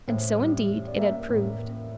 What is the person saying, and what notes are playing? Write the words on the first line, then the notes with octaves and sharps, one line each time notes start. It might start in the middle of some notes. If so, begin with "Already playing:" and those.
And so, indeed, it had proved.
A2 C5
G3
G3
D5
A#3 E5
A2
A#3